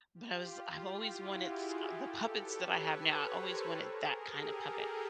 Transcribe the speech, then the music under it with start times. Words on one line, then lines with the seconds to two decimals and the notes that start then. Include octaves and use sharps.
but I was I've always wanted s uh, the puppets that I have now, I always wanted that kinda puppet,
0.15 F4 G4
0.58 F4 G4
1.00 E4 F#4
1.44 F#4 G#4
1.86 G4 A4
2.29 B4 C#5
2.71 B4 C#5
3.14 A#4 C5
3.57 A4 B4
3.85 G#4 A#4
4.14 G4 A4